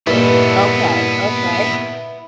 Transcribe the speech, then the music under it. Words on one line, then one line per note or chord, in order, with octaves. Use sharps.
Okay, okay.
G2 A#2 B3 D#4 E4 A4 B4